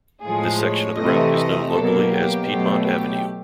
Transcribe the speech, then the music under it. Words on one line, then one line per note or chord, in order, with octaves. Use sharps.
This section of the route is known locally as "Piedmont Avenue".
A2 F3 G#3 G#4
C#5
C3 E3 A3 D#5
D#5
B2 F#3 A#3 A4
G4
B2 F#3 A3
G4